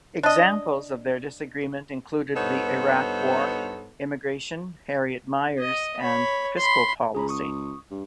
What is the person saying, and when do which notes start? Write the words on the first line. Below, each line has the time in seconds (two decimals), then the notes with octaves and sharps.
Examples of their disagreement included the Iraq War, immigration, Harriet Miers and fiscal policy.
0.23 D4 D#5
2.36 G2 B3 D#4 A4 C5 C#5
5.59 D#5
6.01 C#5 B5
6.57 B5 C6
7.15 C#2 G#4 A#5 B5
7.29 C#6 D#6
7.91 G2